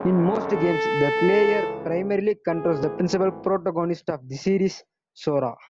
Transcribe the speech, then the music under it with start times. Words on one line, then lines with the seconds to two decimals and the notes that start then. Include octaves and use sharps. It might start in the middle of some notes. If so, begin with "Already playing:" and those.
In most games, the player primarily controls the principal protagonist of the series, Sora.
Already playing: G#1 F#2 C#3 G#3
0.42 A4
1.11 C#2 C#3 E3 G#3
2.49 G#1 G#2 E3 A3 G#4